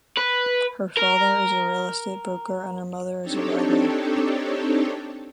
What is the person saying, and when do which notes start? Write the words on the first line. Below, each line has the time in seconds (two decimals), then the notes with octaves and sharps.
Her father is a real estate broker and her mother is a writer.
0.18 B4
0.97 A#4
3.22 C4 D4 D#4 G4 A4 C#5